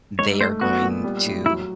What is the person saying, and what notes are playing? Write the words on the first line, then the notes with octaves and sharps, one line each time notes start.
they are going to,
G#2 C#5
A3 C5
B3 F#4
A#2
G3
A2
F#3 E4